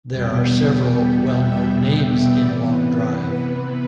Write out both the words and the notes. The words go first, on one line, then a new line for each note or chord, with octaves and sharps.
There are several well-known names in long drive.
E2 B2 G3 B3 G5
E5
C3 E3 B3 D5
B4